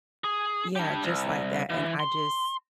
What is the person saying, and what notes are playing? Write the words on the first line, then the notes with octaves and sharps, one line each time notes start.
yeah, just like that, and I just
G#4
D4 G4
C2
E3
C6